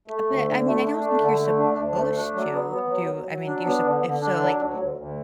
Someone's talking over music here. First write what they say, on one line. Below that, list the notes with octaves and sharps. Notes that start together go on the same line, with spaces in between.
Uh, but, I mean, I don't think you're supposed to do I mean, you're sup if so, like,
A3
D2
D3
A3
D4
A3
D3
A3
D4
D2
A3
D4
F#3
B3
B3
F#3
F#3
F#3
D4
B3
D3
D3
D4
F#3
D2
D2
D2